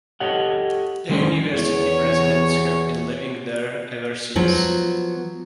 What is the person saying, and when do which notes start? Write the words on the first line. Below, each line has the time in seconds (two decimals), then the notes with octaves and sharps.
The university presidents have been living there ever since.
0.20 G4 A4 C#5 D#5 F#5
1.09 D#3 F#3 G#3 C#4 C5 D5
1.53 E2 C#5
4.36 F3 F#3 B3